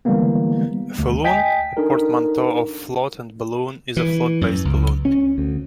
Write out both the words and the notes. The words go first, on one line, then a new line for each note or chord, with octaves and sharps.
A falloon, a portmanteau of "float" and "balloon", is a float-based balloon.
D3 E3 G3 G#3 A#3 B3
D2
D#5 G5 G#5 B6
D4 D#4 A4 A#4
E3
F#2
C#2
C#4
D2